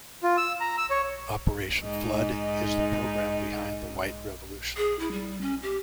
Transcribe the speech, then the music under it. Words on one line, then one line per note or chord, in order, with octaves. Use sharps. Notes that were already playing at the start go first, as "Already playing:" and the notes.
Operation Flood is the program behind the white revolution.
F4
E6
A#5
E6
C#5
G#2 D#4
G#4
E4
G3
C#4
G4